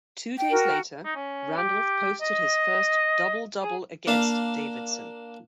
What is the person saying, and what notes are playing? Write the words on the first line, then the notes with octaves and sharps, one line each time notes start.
Two days later, Randolph posted his first double-double against Davidson.
G5
F#4 A#4
D#4
C#4
G4
D#5
G#4
A#3 D4 F5 A5